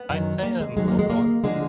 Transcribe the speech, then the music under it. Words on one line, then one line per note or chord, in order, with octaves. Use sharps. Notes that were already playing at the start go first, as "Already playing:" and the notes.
I'd say, um Oh, go on.
Already playing: B3
F#2 D#3 F#3
A#3
G#3
F2 D#3 F#3 G#3
A#3
G#3
A#3
D3 F3 G#3